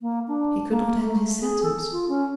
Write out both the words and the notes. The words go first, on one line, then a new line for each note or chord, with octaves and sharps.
He could not end his sentence.
A#3
D4
A#3
A3
G#4
A4
F4
C#4